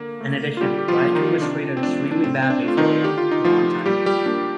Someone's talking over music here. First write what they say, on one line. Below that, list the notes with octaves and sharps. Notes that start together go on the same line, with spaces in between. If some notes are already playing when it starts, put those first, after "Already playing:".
In addition, Raiku was treated extremely badly for a long time.
Already playing: D3 A#3
A3
F4
D3 G3 G4
G4
F3 F4
G3 A#3
D#3 D#4
C3 D4
C4
F3 A3 D4
D4
A2 C4
C4
D4
A3 F4
D#3 D#4
D3 G4
F4
D#4
F3 A3 F4
A#2 G3 G4
G3 G4
G3 A#3 D4